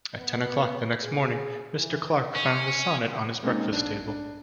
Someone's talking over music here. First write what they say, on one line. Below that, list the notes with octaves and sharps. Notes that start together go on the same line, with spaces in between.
At ten o'clock the next morning, Mr. Clarke found the sonnet on his breakfast-table.
B3
G#4
E3
C#4
G#3 A#3 C4 C#4 D#4
B1 D4
D4